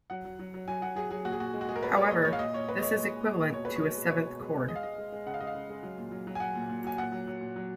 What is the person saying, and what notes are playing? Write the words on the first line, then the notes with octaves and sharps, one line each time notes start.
However, this is equivalent to a seventh chord.
F#3 F#5
F#3
F#3
F#3
F#3 G#5
F#3 F#5
F#3 G#4
F#3 G#4
A#2 F#4
G#4
A#2 F#4
G#3
F#4
G#3 G#4
A#4
A#2 B4
G#3 C#5
A#2 D#5
A#2 C#5
F5
A#2 D#5
A#2 C#5
A#2 B4
D#5
G#3 C#5
A#2
G#3
G#3
A#2
B2 C#5
G#3 B4
C#5
B2
G#3
B2 C#5
B2
G#3
G#3
G#3 D#5
F5
G#3 D#5
G#3
G#3
C#3 F#5
F5
G#3 D#5
F5
C#3
G#3
F#3
A#2
F#3
F#3
G#5
F#3 F#5
A#2
A#2
F#3 G#5
A#2 F#5
F#3
F#3
A#2
F#3